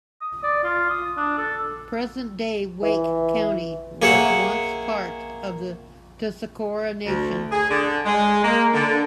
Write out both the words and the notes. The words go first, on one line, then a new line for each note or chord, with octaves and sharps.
Present day Wake County was once part of the Tuscarora nation.
D#6
D5
F4
D#6
D4
A4
E3
A#3 G#4 C#5 E5 F#5
D2
G#4
D3
G#3
A#3
D3